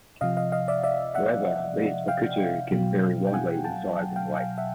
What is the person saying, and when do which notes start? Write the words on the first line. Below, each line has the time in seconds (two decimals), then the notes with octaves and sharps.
However, these bokuto can vary widely in size and weight.
0.21 C3 F3 D#5 F5
0.37 D#5 F5
0.52 D#5 F5
0.68 D5 E5
0.84 D5 E5
1.15 E5 F#5
2.08 F5 G5
2.71 B2 F#3
3.27 G5
3.33 F#5 G#5
3.64 G5 A5
4.16 F5 G5
4.37 F5 G5
4.58 E5 F#5